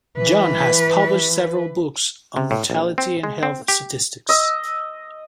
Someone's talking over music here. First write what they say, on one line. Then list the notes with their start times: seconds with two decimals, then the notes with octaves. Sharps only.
John has published several books on mortality and health statistics.
0.17 E3 B4
2.36 C3
2.51 A2
2.70 A#1
2.98 C4
3.23 G#3
3.43 C4
3.68 G4
4.29 D#5 E6